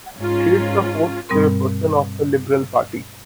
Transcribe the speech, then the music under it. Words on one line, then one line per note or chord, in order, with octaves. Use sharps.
She is the fourth chairperson of the Liberal Party.
G#2 C#4 F4
G2 B2 G3 C4 A#4 C6